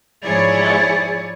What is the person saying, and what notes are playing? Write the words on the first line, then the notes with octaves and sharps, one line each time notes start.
You know?
G#2 F3 E4 G#4 C#5 D5